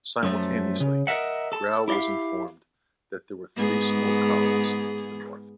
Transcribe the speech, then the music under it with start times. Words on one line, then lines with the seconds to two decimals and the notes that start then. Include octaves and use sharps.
Simultaneously, Grau was informed that there were three smoke columns to north.
0.23 F#2 F3 A3
0.80 C#3
1.07 A#4 D#5 E5 F#5
1.52 A4 A5
1.88 E4 G4 D5 E5 F5
3.57 G#2 B3 G#4